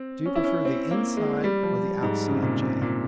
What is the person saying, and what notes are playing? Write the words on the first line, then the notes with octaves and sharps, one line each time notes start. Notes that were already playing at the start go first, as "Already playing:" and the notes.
"Do you prefer the inside or the outside, J.?"
Already playing: C4
C#4
E4
C#4
C4
A#3
G#3
G3
F3
G#2
C#3
C3
A#2
C3
A#2